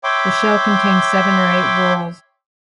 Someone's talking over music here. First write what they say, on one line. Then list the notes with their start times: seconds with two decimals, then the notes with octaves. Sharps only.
The shell contains seven or eight whorls.
0.04 C#5 E5 G5 B5 C6 D6